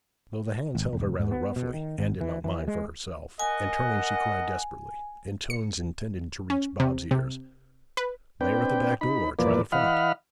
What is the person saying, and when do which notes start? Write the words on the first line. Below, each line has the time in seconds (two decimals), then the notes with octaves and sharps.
Though the hands held her rather roughly, Anne did not mind for herself, and turning she cried desperately, in tones intended to reach Bob's ears: 'They are at the back-door; try the front!'
0.75 G#1
0.93 E1
1.19 G#2
1.31 B3
1.56 B2
1.74 D#3
1.99 G#1
2.21 E3
2.44 E3
2.68 G#3
3.40 A#4 D#5 F#5 G#5
5.50 C#7
6.50 C#4
6.80 C3
7.11 C3
7.97 B4
8.41 C4 D4 B4 G5
9.01 D#4 B5
9.39 E2 A#2 F3 A#3 B4 D5
9.72 E3 D#5 F5 F#5 B5 F6